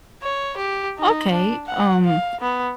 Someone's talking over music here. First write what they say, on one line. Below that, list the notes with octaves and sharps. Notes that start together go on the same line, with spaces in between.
Okay. Um,
C#5
G4
D#4
D4
F#5
F5
B3